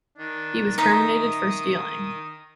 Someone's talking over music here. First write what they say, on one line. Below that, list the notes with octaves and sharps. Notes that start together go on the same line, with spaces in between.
He was terminated for stealing.
D#3 D4
D#4 E5 D#6